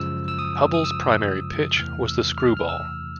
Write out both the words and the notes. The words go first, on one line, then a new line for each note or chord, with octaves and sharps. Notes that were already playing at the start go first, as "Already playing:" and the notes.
Hubbell's primary pitch was the screwball.
Already playing: F#2 C#3 F3 G#3 E6
E6
D#6
D#6
E6
E2 C3 E3 A3 F6
E6
F6
F6
E6